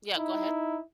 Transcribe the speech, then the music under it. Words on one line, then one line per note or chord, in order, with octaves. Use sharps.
Yeah, go ahead.
D#4 E4